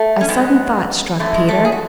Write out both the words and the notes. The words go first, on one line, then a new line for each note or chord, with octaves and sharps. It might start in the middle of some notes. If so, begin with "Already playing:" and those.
A sudden thought struck Peter.
Already playing: A3
C#4
G#2 F#3 G#3 B3
F#2 E3 A3
G#3
A3
G#4
F#4